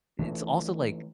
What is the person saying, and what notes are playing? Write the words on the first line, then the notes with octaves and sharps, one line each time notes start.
it's also, like,
E3 A3 D4